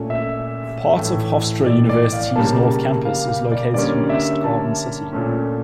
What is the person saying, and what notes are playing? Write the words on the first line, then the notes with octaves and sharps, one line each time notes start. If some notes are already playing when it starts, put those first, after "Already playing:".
Part of Hofstra University's north campus is located in East Garden City.
Already playing: A#2 A3 C#4
E5
A2 E3 A3
D5
D5
F5
C#3 G3 A#3 A5
F5
F5
D5
D3 G3 A#3 C#4 D5
E5
A5
A#2 A3 C#4